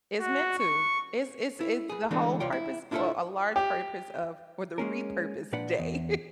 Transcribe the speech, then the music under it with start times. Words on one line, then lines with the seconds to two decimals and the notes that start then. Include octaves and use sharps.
It's meant to, it's it's it's the whole purpose, or a large purpose of or the repurpose day,
0.21 F#4
0.59 C#6
1.61 E4
1.89 G#4 B4
2.11 D3 E3 G#3 A3 B3 D4
2.40 C2 C3 F4 C#5 D5 G5
2.52 E4
2.91 D4 E4 F4 G4 A4 E5
3.56 G4
4.78 G#3 A#3 C#4 A#4
5.53 A#2 D4 B4 D5 F#5
5.79 E2